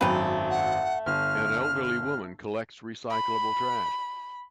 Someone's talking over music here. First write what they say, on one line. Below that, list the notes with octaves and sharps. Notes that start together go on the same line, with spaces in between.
An elderly woman collects recyclable trash.
G#1 F#2 A3 B4 G5
F#5
G1 F6
B5